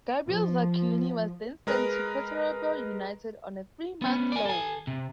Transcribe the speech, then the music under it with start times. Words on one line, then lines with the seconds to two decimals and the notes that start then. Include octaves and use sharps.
Gabriel Zakuani was then sent to Peterborough United on a three-month loan.
0.25 F3
1.67 G#3 A#4 B4
4.02 B3 C#4
4.32 D5 G#5
4.46 A4 G#5
4.87 C3